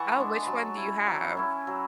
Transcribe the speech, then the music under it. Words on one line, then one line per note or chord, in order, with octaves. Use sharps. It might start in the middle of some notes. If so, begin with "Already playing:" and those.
Oh, which one do you have?
Already playing: E3 F#5 A5 B5 C#6
G#3 D4
F#3 A5 B5 C#6
C#4 E4
F#3
C#4 E4
F#3